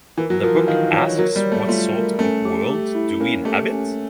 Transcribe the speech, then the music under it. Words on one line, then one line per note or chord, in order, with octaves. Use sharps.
The book asks what sort of world do we inhabit?
E3 A#4
F#3
F3 A#4
E3
D#3 F5
E3 C#5
F#3 A#4
G3
C#5
A3
A3 F4
A#4
A3 C#4
G4
G4
E4
A#3 C#4
A3 G4
C#4